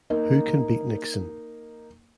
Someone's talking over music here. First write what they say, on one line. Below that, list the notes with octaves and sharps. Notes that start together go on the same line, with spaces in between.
Who Can Beat Nixon?
A#3 D#4